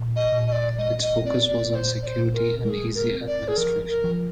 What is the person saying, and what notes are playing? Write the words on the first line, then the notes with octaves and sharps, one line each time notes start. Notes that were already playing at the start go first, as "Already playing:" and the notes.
Its focus was on security and easy administration.
Already playing: A#2
D#5
A#2
D#5
D5
G#3 D#5
D#5
C4 D5
D5
A#2 C5 D5
D5
C5
A#2
A#4
G#3 G#4 A#4
A#4
C4
D5
G#4
F3 A#4
A#4
F3